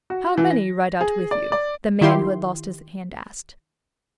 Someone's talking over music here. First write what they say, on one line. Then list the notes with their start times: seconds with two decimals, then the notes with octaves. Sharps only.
"How many ride out with you?" the man who had lost his hand asked.
0.10 F#4
0.38 E3
0.50 A#6
1.01 G#4
1.31 D5
1.52 D5
2.01 D#3 E4 F4 G4 C6